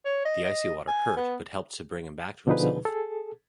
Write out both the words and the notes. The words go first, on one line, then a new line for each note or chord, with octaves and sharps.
The icy water hurt, but helped to bring him back to himself.
C#5
D#5
D#5
G#5
B3
B2 D3 F3 D#4 G#4 B4
G#4 A4